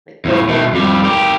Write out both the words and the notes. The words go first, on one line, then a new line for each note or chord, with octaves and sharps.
Like, "We're full."
E2 A2
B2 A3
F2 G3
G4 A#4